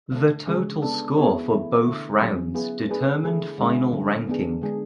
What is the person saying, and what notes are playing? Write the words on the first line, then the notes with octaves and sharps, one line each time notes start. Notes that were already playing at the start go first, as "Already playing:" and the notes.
The total score for both rounds determined final ranking.
D3 A3 D4
C#3 G#3 C#4 G#4
B3 D4 A4
B3 E4 G#4 C#5
E3 A3 E4
D3 A3 E4
F#3 C#4 G#4
B3 E4 G#4 B4
A3 D4 G#4 B4
D3 A3 E4 G#4
D3 G#3 C#4 E4
D3 F#3 C#4
B3 D4 G#4
D3 G#3 D4 G#4